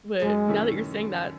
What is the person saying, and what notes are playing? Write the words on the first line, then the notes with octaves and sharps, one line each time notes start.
but, now that you're saying that
F#2 G#3
D#3 A3 C#4 E4